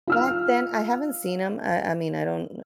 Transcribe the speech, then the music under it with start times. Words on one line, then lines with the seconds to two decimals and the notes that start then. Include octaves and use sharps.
back then, I haven't seen 'em. I I mean, I don't
0.07 F4 E6 F6